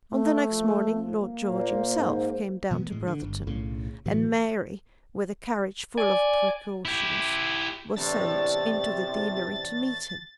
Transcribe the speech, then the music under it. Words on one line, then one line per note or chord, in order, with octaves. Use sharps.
On the next morning Lord George himself came down to Brotherton, and Mary with a carriage full of precautions, was sent into the deanery to meet him.
A3
F3
F3
A#3
A#2 C5
G#2
B2 E3 G#3 B3
A2 G#3
D3
G1
B1 A2 C#3
A2 E3 F#3
D5 G#5
E4 G4
E2 A2 C3 D4 A6